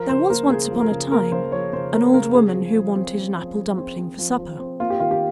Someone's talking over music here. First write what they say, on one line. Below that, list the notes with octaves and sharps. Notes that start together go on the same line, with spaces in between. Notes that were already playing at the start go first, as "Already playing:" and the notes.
There was once upon a time an old woman who wanted an apple dumpling for supper.
Already playing: F3 A#4
C#3 C5
A#3 A#4
C#3 G#4
F3
A#4
C#3
A#3 A#4
C#3 C5
F3 C#5
C#3 C5
A#3 A#4
C#3 A#4
C4 G#4
F3
F3
C4
C4
F3
F3
C4
C4
F3
F3
C4
A#3 F4
G4
D#3 F4
G4